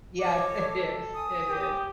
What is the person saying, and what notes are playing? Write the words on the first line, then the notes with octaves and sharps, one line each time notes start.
Yes, it is. It is.
C#5 D#5 D6
A4
G#5 D#6
G4